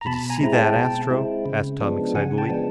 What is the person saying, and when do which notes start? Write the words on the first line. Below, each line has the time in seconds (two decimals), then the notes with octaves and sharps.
"Did you see that, Astro?" asked Tom excitedly.
0.01 A#5
0.06 B2 A5 B5
0.29 G#5 A#5
0.41 G#3 C4 E4 A#5
0.53 G5 A5
0.76 B2
1.10 G#3 C4 E4
1.46 C#3
1.80 F3 G#3 B3 D4
2.15 C#3 F#5 G#5
2.38 G5 A5
2.49 F3 G#3 B3 D4